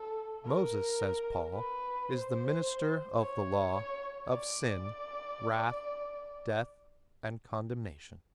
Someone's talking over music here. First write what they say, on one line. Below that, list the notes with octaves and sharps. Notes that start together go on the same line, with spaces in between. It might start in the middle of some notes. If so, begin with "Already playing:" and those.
"Moses," says Paul, "is the minister of the Law, of sin, wrath, death, and condemnation."
Already playing: A4
A#4
B4
C5
C#5
D5